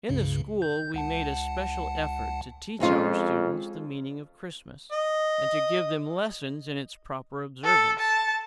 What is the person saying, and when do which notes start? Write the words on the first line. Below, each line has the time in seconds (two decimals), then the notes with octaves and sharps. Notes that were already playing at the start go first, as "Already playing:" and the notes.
In the school we made a special effort to teach our students the meaning of Christmas, and to give them lessons in its proper observance.
0.09 C#2 G2 C#3
0.62 G6
0.94 C#2 F#5 A5
2.80 F2 G#3 C#4 F4
4.92 D#5
7.64 A4
7.99 A5